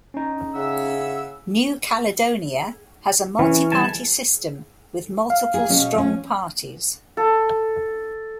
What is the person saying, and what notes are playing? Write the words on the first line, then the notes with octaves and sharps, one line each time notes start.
New Caledonia has a multi-party system, with multiple strong parties.
C#4 D#4
C#3 E5 F#5 E6
E3 C#4
G3 G#5 A5
F5
G#4
B2 C#4
F3 C#4
A4